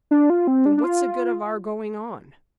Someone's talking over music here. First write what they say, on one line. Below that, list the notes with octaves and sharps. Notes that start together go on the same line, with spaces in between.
"Then what's the good of our going on?"
D4
F4
C4
D4
D4
F4